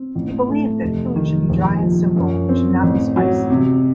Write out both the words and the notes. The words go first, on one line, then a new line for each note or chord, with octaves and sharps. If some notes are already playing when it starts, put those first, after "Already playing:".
He believed that food should be dry and simple and should not be spicy.
Already playing: C4
A1
A3
F1
D#3
A#1
F3
F#2
C4
A1
F#3
C3